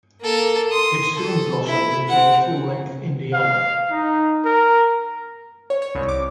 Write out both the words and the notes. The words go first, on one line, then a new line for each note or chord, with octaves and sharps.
It soon blossomed into the full-length "Indiana".
A#3 A4
C6 D#6
A4
E4
C4 F#5
F5
D#4
A#4
C#5
C#5
C2
D6